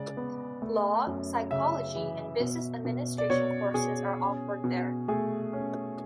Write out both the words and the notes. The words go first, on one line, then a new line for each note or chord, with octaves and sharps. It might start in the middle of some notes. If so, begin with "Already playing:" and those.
Law, Psychology and Business Administration courses are offered there.
Already playing: C#3 G#3 D5
B3
A3
F#2
C#3 E5
E3
B2
B2
D5
B2 C#5
B2 G#4
C#4
B2
A3 G#4
C#4